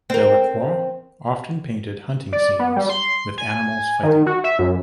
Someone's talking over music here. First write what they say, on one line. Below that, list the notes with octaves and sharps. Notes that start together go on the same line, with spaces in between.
Delacroix often painted hunting scenes and animals fighting.
C4 A#4
D5
B3
G3
C6
G#5
D#3
F#4
E5
F#2